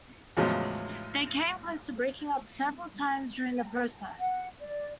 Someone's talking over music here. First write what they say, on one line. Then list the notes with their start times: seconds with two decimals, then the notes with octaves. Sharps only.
They came close to breaking up several times during the process.
0.37 E2 A2 C#3 F3 F#3 G#3
4.20 F#5
4.59 D5